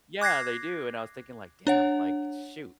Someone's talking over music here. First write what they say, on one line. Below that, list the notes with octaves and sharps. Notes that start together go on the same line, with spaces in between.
yeah, they do. And I was thinking like, "Damn," like, "Shoot,"
D6 F#6 G#6 A#6 C7
D4 C#5 F#5